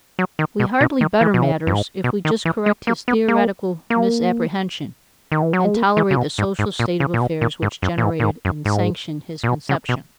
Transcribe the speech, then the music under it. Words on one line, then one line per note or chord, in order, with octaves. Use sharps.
We hardly better matters if we just correct his theoretical misapprehension, and tolerate the social state of affairs which generated and sanctioned his conception.
F#3
D#3
B2
B2
D#3
E3
B2
C#3
F#2
G#2
B2
D#3
E3
G#3
A#3
B3
A#3
A#3
D#3
E3
F#3
G#3
A#3
E3
C#3
B2
G#2
G#2
A#2
C#3
A#2
B2
A#2
G#2
F#2
A#2
G#2
A#2
G#2
F#2
G#2
A#2
B2
C#3
B2